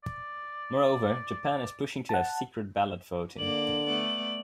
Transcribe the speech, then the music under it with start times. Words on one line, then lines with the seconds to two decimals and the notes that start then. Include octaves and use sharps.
Moreover, Japan is pushing to have secret ballot voting.
0.04 D5
2.09 F#5 A5
3.38 D3 A#3 D5 F#7
3.87 A3 B3 D5